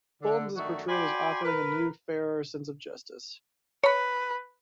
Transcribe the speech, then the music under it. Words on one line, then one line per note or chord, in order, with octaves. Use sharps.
Holmes is portrayed as offering a new, fairer sense of justice.
D3
F#2 D3 D#3 A3 F#4
F#4 D5 G5 G#5 B5 C6
A#4 B4
B4 C#5 B5